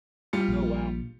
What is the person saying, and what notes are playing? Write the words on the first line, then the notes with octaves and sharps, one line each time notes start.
oh, wow.
G3 F4 C#7
A#1